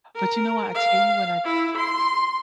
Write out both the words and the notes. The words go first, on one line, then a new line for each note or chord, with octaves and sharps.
but you know what I tell you when I
A#4
F5
E4
C6